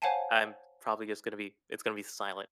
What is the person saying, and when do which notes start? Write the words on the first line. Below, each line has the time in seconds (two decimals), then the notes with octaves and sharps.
I'm probably just gonna be, it's gonna be silent.
0.02 C5 C#5 F5 F#5 G#5 A5